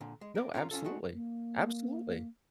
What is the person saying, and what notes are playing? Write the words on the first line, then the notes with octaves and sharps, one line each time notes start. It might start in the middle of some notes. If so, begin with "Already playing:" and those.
No, absolutely. Absolutely.
A#2 D3
G#3
A#4 D5
C#4 F4 F#5 A#5
C#4 D4 F4 A4
G#3 A3 F#4
A#3